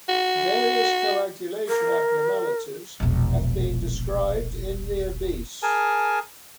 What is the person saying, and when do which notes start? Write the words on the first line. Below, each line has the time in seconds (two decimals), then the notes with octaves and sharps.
Various coagulation abnormalities have been described in the obese.
0.09 F#4
1.68 A#4
3.00 E1 A#1
5.63 G#4 A#4 G#5 A5